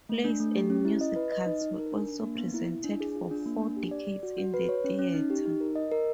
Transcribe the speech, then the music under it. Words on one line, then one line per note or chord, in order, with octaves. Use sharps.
Plays and musicals were also presented for four decades in the theatre.
A3
D4
A3
G4
C#4
E4
D#5
B4
D#5
D#4
D#4
A#4
D4
D4
A#3
B3
E4
E4
D4
G#4
F4
D4
A#3
D4
G4
D5
D5
F#4
F#4
B4
C#5
C#4
C#4
D#4
G4
D#4
A#4
D#5
A#4